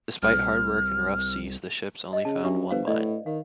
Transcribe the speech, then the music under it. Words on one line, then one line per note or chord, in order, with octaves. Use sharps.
Despite hard work in rough seas, the ships only found one mine.
C2 F6
D#5
C#3 A5
F#2 D4 G4 E5
G1 B4 C5 F5
A2 D5 D#5
D#3 F5